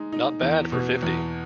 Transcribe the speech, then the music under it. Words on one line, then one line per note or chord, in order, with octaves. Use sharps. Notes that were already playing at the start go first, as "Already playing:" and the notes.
Not bad for fifty.
Already playing: G#3 D#4
D#4
E2
B2
E2